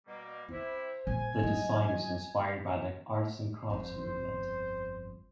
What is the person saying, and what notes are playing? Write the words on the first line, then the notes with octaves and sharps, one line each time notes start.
The design is inspired by the arts and crafts movement.
B2 G3 A#3
C3 E4 C5
A#2 D3 G#5
F#3 D#5
G1 F2 C5